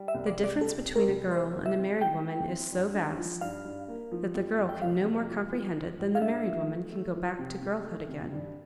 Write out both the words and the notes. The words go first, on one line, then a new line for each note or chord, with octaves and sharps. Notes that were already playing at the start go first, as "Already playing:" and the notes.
The difference between a girl and a married woman is so vast, that the girl can no more comprehend it than the married woman can go back to girlhood again.
Already playing: G3
E5
C2
D5
C3
D5
C2 A4
C3
A#4
C2
C3 C5
E4
E5
C4
E4 G5
E4
C4
G2
D4
F3
G2 F5
G2
A#3
F3
F2
F2
G5
C3 F5
F2
F3
F3
F3
A2
F5
D4 E5
F3
A3
A3
F3
C3
C3
A3
C3
G2